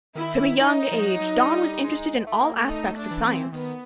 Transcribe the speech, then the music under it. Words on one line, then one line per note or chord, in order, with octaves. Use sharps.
From a young age Don was interested in all aspects of science.
D#3 E4
D#4
F3
F#3
G3
G#3
A3
A#3
A3
A3 D#4
D4
E3
C4
D#3 B3